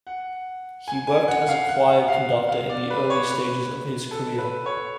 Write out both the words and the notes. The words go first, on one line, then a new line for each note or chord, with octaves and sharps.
He worked as a choir conductor in the early stages of his career.
F#5
G#5
G#5
F#5
F5
F#5
F5
F5
D5
B4
C#5
B4
A4
B4
C#5